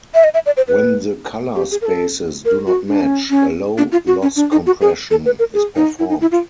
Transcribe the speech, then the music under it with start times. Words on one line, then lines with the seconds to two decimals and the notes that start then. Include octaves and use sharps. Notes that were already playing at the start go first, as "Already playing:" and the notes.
When the color spaces do not match, a low loss compression is performed.
0.14 E5
0.24 D#5
0.34 E5
0.46 D5
0.57 C5
0.68 B4
1.56 G4
1.71 G#4
1.81 A#4
1.86 A4
2.45 A#4
2.67 F#4
2.88 D4
3.02 C#4
3.30 C#4
3.78 D4
3.92 F4
4.07 F#4
4.22 C#4
4.36 D4
4.52 D#4
4.66 F#4
4.81 G#4
5.11 A4
5.26 B4
5.39 A#4
5.54 G#4
5.76 D#4
5.99 E4
6.09 D#4
6.21 E4
6.32 F4